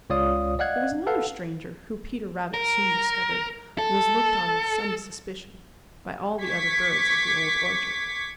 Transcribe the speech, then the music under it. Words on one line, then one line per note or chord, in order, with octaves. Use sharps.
There was another stranger who, Peter Rabbit soon discovered, was looked on with some suspicion by all the other birds of the Old Orchard.
C#2 F4 C#5 D5 F5 D#6
D5 D#5 F5 F#5 F#6 G#6
A4 B4 F5 F#5
A#4
A4
C#6 D6 G#6 B6